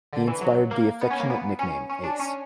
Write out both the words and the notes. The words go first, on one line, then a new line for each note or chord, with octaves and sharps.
He inspired the affectionate nickname 'Ace'.
D3
E3
F#3
A#3
B3
C#4
A#3
B3
C#4
C#4
D4
C#4